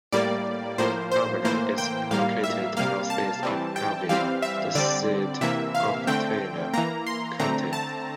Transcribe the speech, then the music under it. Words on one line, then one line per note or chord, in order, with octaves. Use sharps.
Albany is located northeast of Abilene, the seat of Taylor County.
A2 G3 A#3 D5
A2 F3 A#3 C5
C5
A2 E3 A#3 C5
G5
A2 G3 A#3 F5
E5
C3 G3 A#3 F5
A5
E3 G3 C4
G5
E3 G3 C4 F5
E5
D3 G3 C4 D5
C3 E3 A#3 E5
F5
D3 A3 C4 G5
E3 A#3 A#5
C6
D3 A3 C4 A#5
A5